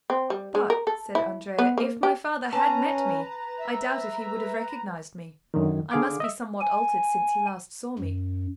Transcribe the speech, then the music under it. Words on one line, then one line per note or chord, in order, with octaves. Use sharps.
"But," said Andrea, "if my father had met me, I doubt if he would have recognized me; I must be somewhat altered since he last saw me."
C4
G3
G#3
A#4
A4
E4
B3
A#3
G4
C#4 B4 A5 A#5
E5
F#2 D3 D#3
D3 G#4 F5 D6
D#5 E5
G#5
F#2